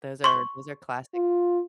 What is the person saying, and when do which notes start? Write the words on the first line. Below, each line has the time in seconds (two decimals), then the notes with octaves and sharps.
Those are those are classics.
0.24 C6 C#6
1.14 F4